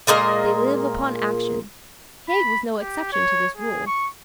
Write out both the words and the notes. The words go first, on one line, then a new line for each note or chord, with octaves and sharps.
They live upon action. Haig was no exception to this rule.
A#2 G#3 A#3 A#4
B5
G4
C#5
G#4
C#6